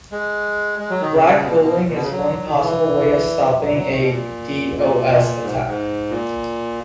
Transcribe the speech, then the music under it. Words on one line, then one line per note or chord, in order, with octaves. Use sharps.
Black holing is one possible way of stopping a DoS attack.
G#3
G#3
F#3
D#3
C#3
B2
A#2
B2
A#2
B2
C#3
F#3
D#3
E3
F#3
E3
F#3
D#3
B2
A#2
A#2
G#2
G#2
A#2